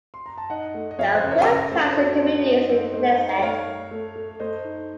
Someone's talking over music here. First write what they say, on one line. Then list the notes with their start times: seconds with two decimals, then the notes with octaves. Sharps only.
There are four types of committees in the Knesset.
0.14 C6
0.26 A#5
0.38 A5
0.50 D#4 D#5 F#5
0.74 A3
0.91 D#5
0.99 F2 C#5 F5
1.15 C5 D#5
1.24 C#3
1.31 A#4 C#5
1.48 C#3 A#4
1.71 A3 A4 C5
1.96 F#4 A#4 C#5
2.21 C5
2.45 D#4
2.69 C4
2.94 A3 C5 D#5
3.18 D#4
3.43 A3 C#5 F5
3.67 A#4
3.91 A3
4.16 A3
4.40 A3 C5 D#5
4.65 D#4